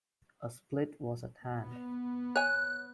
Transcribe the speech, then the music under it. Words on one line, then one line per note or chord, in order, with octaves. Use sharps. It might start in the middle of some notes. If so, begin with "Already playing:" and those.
A split was at hand.
B3
C#5 G#5 F#6